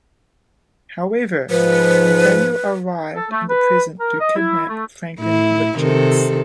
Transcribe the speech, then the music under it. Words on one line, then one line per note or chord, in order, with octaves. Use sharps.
However, Nathaniel arrived in the present to kidnap Franklin Richards.
G#2 F3 B4
A4
A3
B4
A#4
D#5
E4
A3
A2 E4
C3 D#3 A4